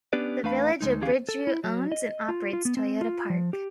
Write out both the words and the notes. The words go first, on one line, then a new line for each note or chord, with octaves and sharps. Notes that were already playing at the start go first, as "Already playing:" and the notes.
The Village of Bridgeview owns and operates Toyota Park.
B3 C#4 D4 G4 B4 D5
E2 A3 D4 B4 F5 B5
D2 F3 G#3 D#4
D2 E3 C#4 G4 G#4 F5
A4
E4
F#3
D#5
F4
F4
B3
C4
F4
F3
G4